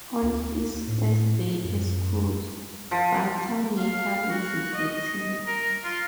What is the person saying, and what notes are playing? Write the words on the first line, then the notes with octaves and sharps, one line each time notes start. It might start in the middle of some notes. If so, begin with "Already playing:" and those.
On his first day as coach, Buttermaker visits the team.
D2
A2
F#2
F3
F5
F#4
D#5
A#4
F4